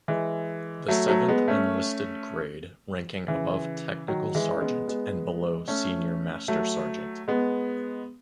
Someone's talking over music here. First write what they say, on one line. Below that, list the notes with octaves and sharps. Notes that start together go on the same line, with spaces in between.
The seventh enlisted grade, ranking above technical sergeant and below senior master sergeant.
E3 G#3
F#3 A3
F#3 A3
G#3 B3
A3 C#4
C#3 E3
D#3 F#3
E3 G#3
C#4
G#3 B3
G#3 B3
A3 C#4
F#3 A3
G#3 B3